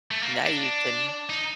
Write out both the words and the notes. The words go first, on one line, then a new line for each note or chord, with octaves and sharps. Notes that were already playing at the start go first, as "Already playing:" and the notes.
Now you can
A3
A#3
D4
D#4